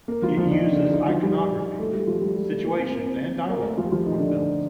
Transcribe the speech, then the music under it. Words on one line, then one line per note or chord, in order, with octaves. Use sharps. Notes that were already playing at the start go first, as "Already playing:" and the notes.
It uses iconography, situations and dialogue from films.
A#3 A#4
F3 F4
F3 F4
D4
D#3 D#4
D3 D4
D#3 D#4
F3 F4
G3 G4
A3 A4
G3 G4
F3 F4
G3 G4
G3 G4
A3 A4
A#3 A#4
C4 C5
A#3 A#4
C4 C5
A#3 A#4
A3 A4
F3 F4
G4
F3 F4
D#3 D#4
D3 D4